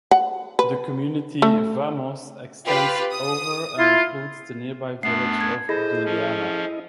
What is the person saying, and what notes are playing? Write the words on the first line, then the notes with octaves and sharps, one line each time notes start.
The community Vamos extends over and includes the nearby village of Douliana.
F#5
B4
A3
F4 G4 B4
D#6
E4 F4
F#2 A3 B3 D4 C7
G#6
E4 G#4 A4 C5 D#5
F3 C#4